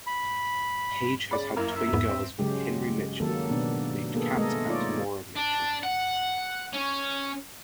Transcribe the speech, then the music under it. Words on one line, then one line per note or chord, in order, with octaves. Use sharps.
Paige has had twin girls with Henry Mitchell named Kat and Tamora Mitchell.
B5
C#3 D5 B5
F#2 A#3 E4
E5
E2 G#2 B3
C4
C#3 F#3 G#3 G4
D#3 F#3 A#3 A4
B2 B3 D4
A#3 B3 G#4 A4
G#3 A3 B3 A4 A#4 D#5
B3 D#4 F4 C#5 D5
D4
F#5
C#4